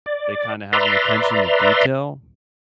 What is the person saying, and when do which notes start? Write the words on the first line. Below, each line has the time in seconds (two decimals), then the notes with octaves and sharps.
they kinda have an attention to detail,
0.06 D5
0.73 B4 D5 E5 A#5 C6